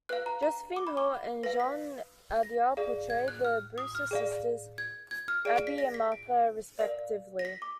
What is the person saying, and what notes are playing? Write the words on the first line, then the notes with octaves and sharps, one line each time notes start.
Josephine Hull and Jean Adair portray the Brewster sisters, Abby and Martha, respectively.
B4 F5 F#6
A#5
A#5
D6
B5
D6
B4 F5 A#6
B6
A#6
G#4 D5 F5
G#6
F#6
F6
D#6
F6
G#4 D5 F5
G#6
G#6
F6
G#4 D5 F5 D7
D7
B6
A#6
B6
D7
A#4 D5 F5
A#6
B6
D6